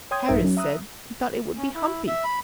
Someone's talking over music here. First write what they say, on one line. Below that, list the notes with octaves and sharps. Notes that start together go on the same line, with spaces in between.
Harris said he thought it would be humpy.
C#5 G5 C6 D#6 G6 G#6
A#1 G2 D#4 A#4 E5
F#3 C#4
E5 A#5 D#6 E6 F#6
C#4
E4
E5
B5